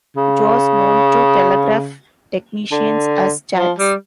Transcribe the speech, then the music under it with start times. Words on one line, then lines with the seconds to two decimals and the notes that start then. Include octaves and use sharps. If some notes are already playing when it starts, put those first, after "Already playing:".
It was known to telegraph technicians as 'chats'.
0.16 C#3
2.72 D3
3.57 F3
3.78 G3